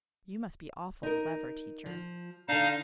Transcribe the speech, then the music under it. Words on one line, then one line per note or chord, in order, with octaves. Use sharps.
You must be awful clever, teacher.'
D#4 A#4
F3
D3 D4 D#4 F5 A5